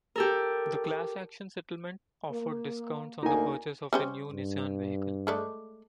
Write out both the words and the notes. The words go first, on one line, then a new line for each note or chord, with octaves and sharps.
The class-action settlement offered discounts on the purchase of a new Nissan vehicle.
G4 A4 A#4
A#3
D2 A#3 D#4 G#5
G3 C#4 C5
G2
G#3 A3 D5